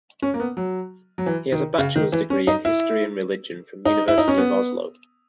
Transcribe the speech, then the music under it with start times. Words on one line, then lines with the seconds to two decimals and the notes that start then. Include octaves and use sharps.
He has a bachelor's degree in history and religion from University of Oslo.
0.22 C#4
0.34 A#3
0.40 B3
0.57 F#3
1.18 F#3
1.26 E3
1.52 D#3
1.78 C#3
1.95 D#3
2.12 E3
2.30 C#4
2.47 D#4
2.65 E4
3.85 D#4
4.08 E4
4.18 D#4
4.28 C#4
4.38 B3